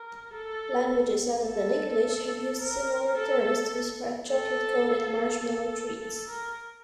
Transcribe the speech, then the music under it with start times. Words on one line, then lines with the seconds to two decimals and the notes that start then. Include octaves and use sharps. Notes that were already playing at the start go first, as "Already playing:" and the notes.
Languages other than English have used similar terms to describe chocolate-coated marshmallow treats.
Already playing: A#4
0.34 A4
1.47 A4
2.61 A#4
3.17 A4
4.30 A4
5.43 A4
5.99 A4
6.29 A#4